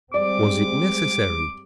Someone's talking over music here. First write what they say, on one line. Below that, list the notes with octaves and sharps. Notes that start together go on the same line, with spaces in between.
Was it necessary?
G3 G#3 C4 D5 D6